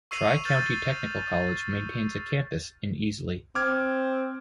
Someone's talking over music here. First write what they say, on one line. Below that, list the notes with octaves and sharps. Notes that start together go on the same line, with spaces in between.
Tri-County Technical College maintains a campus in Easley.
C#6 E6 C7 D#7 F7 F#7
E6 F6 G6 A6 E7
C4 D6 F6 G#6